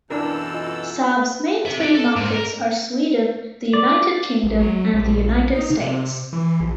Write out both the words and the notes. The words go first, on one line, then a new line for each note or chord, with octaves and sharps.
Saab's main three markets are Sweden, the United Kingdom and the United States.
F#2 B2 E3 D4 E4 A4 A#4 E6
F4 D#5
G4 E5
D4
A4
G#2
A#4
D5
A1
F#3
A#1
D#4
C3
E3
A#1